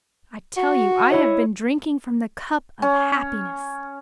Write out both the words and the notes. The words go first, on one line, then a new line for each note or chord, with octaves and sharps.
I tell you I have been drinking from the cup of happiness.
F#4
E4 C#5 D#5
C#4